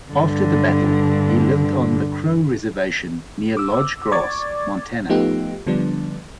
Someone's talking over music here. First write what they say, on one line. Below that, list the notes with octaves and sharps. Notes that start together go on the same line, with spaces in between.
After the battle, he lived on the Crow reservation near Lodge Grass, Montana.
G2 D3
D6 E6
D5 C#6 D6 G#6 A6
F3 A3 B3 D#4 F4 G4
D3 F3 G3 B3 D4